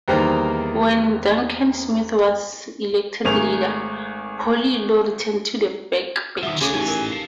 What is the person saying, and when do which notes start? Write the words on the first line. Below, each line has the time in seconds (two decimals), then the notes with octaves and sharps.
When Duncan Smith was elected leader, Portillo returned to the backbenches.
0.08 E2 D#3 G3 A#3 A#4 C5
3.25 G#1 A3 G#4 A#4 C#6 F7
6.43 B2 D#3 F3 E5 F#5 D#6
6.61 D2 C#3 F#4 G#4 A4 G#5
6.74 A1 E3 C#4 D#4 G4
6.88 A#4
7.12 F5 A5